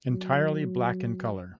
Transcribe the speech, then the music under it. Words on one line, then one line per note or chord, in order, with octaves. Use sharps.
Entirely black in color.
F#3